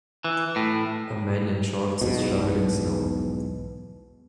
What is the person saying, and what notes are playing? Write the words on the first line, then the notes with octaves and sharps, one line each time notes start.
A man in shorts is shoveling snow.
E3
A2
B1 E2 G#2 B2